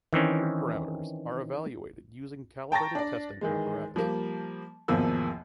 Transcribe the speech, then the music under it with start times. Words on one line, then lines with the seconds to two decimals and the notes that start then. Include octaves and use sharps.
Standard parameters are evaluated using calibrated testing apparatus.
0.13 D#3 E3 C4 C#4
2.72 G5 A5 A#5 C#6 A6 A#6
2.95 D4 D5
3.41 D#3 E3 G#3
3.96 F3 G3 A#3
4.88 G#1 E2 B2 F3 A#3 E6